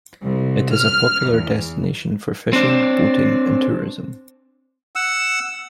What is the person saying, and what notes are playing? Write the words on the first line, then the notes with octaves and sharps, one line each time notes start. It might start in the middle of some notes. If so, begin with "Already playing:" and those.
It is a popular destination for fishing, boating, and tourism.
C2
F6
E2
C4 D4
F#5 E6